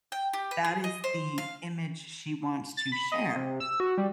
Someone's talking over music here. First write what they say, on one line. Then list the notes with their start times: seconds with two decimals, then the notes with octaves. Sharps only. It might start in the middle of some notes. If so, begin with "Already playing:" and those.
that is the image she wants to share.
0.12 G5
0.33 G4
0.51 B4
0.64 G#4
0.84 D#5
1.04 C5
1.38 F5
2.77 A6
2.92 B5
3.12 D#5
3.36 C3
3.60 E6
3.80 F#4
3.98 G3